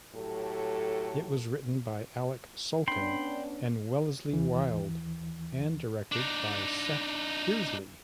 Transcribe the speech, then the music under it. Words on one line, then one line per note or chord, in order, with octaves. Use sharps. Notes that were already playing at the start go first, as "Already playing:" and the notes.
It was written by Alec Sulkin and Wellesley Wild and directed by Seth Kearsley.
A2 F#3 G4 A4
B3 C#4 D4 G5 B5 C6
D#2 E3
D4 D#4